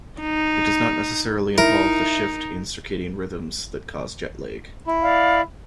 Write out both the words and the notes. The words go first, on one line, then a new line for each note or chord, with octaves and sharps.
It does not necessarily involve the shift in circadian rhythms that cause jet lag.
D#4
D#4 E4 A#4
E4
D5 F5